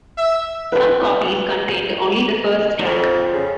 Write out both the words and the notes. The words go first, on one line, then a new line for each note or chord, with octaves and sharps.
Some copies contained only the first track.
E5
B4
F2
C#3